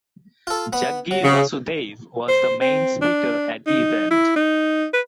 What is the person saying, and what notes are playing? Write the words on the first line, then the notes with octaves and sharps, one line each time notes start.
Jaggi Vasudev was the main speaker at the event.
F4 A4
B3 B5
F#3
C#3
C5
C4
D4
D#4
E4
D#4
B4